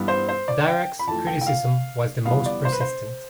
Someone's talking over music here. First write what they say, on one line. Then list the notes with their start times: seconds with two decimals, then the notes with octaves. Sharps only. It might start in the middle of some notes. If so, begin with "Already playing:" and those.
Dirac's criticism was the most persistent.
Already playing: G2 E3 G3 B3
0.08 C5
0.29 C5
0.48 D5
0.68 G5
0.99 B5
1.07 F2 E3 A3 A5
1.27 G5
1.41 G5
1.47 F5
2.25 F2 E3 G3 B3 F5
2.46 D5
2.65 C5
2.72 B4
2.80 C5